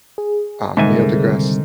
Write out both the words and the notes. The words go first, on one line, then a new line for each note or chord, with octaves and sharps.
um, Neil deGrasse
G#4
C2 G#2 D3 D#3 E5 G#5